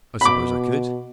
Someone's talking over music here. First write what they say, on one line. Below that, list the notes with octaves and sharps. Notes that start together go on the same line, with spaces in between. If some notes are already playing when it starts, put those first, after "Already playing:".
"I suppose I could."
B2 B5 D6